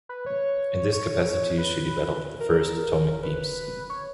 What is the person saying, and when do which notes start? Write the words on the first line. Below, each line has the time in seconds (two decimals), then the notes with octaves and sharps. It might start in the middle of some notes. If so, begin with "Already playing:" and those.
In this capacity she developed the first atomic beams.
0.09 B4
0.26 C#5
0.92 C#5
1.58 B4
2.40 A#4
3.23 B4
3.90 C#5